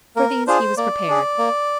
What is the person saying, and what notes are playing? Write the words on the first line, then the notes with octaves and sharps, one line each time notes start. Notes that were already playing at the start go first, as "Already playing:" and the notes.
For these he was prepared.
A#3 A#4
D4 F4 G#4 C5
A#3 D5
D4 G#4
A#3